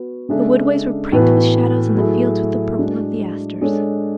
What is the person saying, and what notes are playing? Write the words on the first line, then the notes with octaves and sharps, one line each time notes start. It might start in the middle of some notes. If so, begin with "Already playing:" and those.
The woodways were pranked with shadows and the fields with the purple of the asters.
Already playing: B3 F#4 B4
C#3 G#3 D4 A4 E5
A2 E3 B3 F#4 B4
F#3 A3 E4 G#4
G#3 D4 F#4
G#3 D4 A4 C#5